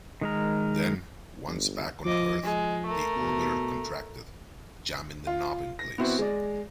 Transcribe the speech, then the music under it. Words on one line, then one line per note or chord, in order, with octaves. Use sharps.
Then, once back on Earth, the Orbiter contracted, jamming the knob in place.
D#3 G#3 A#4
G1
F3 D#5 D6
F3 G#3
A3 A#4
B2
F4
A#6
B3 C4 E4 F#4 C5
G#3 D5